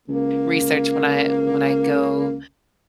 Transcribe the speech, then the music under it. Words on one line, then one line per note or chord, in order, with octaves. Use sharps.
research when I when I go,
C#2 A#3